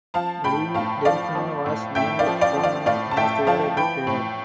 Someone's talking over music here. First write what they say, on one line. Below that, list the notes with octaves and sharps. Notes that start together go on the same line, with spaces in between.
Lee Delfino was named Tournament Most Valuable Player.
F3 F5 A5
A2 G5 B5
A2 F5 A5
F3 D5 F5
F3
A2
A2 E5 G5
D5 F5
F3
D5 F5
F3
D5 F5
A2 D5 F5
A5
A2 E5 G5
F3 F5 A5
E3 G5 B5
A2